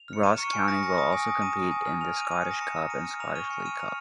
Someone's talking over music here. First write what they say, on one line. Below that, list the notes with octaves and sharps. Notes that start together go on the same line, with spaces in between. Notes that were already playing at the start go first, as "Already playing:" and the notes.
Ross County will also compete in the Scottish Cup and Scottish League Cup.
Already playing: F7
F6 C#7
A#5 D#7
C#6 F6 C#7
G#5 C#7
D#6 A#6
G#5 A#6
D#6
G#5
D#6
A#5 D#7
D#6
G#5
F6
G#5 F7
F6 D#7
G#5 D#7
C#7
D#6 A#6
A#5 C#7
F6 D#7
A#5 D#7
F6 D#7
A#5 F7
C#6 F6 D#7
G#5 C#7
F6 D#7
A#5 F7